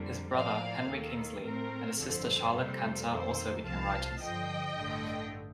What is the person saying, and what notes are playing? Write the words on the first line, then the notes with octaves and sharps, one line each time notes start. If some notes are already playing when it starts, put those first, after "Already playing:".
His brother Henry Kingsley and his sister Charlotte Chanter also became writers.
Already playing: F2 D3 G3 A#3
A2 F3 A#3 D5 F5
D#2 D#3 A#3 A4
A2 A3 C4 A#4
G1 F2 D3 F3 A4 C5
F2 C3 G3 A#3
F2 D#3 A#3 A4 C5
C2 C3 F3 F5 A5
G2 D3 F3 D#5 G5
A1 G2 D3 A3